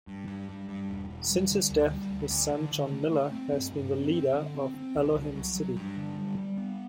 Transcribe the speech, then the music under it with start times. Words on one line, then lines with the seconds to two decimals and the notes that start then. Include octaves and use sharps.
Since his death, his son John Millar has been the leader of Elohim City.
0.07 G2
0.28 G2
0.49 G2
0.68 G2
0.89 E1
1.09 E1
1.29 G3
1.50 D3
1.70 D2
1.91 G3
2.10 D2
2.30 D2
2.51 D3
2.72 D3
2.92 A3
3.12 A3
3.32 C4
3.53 G2
3.73 G2
3.93 C4
4.13 C4
4.34 D3
4.55 C4
4.74 C4
4.96 C2
5.15 C2
5.35 F#3
5.56 F#3
5.77 G2
5.97 D3
6.17 G3
6.37 G3
6.57 B3